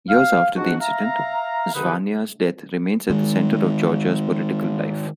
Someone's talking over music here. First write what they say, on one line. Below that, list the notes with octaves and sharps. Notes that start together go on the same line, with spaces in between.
Years after the incident, Zhvania's death remains at the center of Georgia's political life.
F5
G#2 F3 D4 F#4
E5 F5 A#5
C2 G2 D3 D#4 B4
D#3 G#3